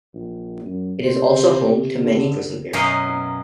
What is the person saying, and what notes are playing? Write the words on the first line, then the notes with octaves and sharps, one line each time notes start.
It is also home to many grizzly bears.
A#1
F#2
C3 C5
D3
F#2 B2 C#4 A#4 D#5 F5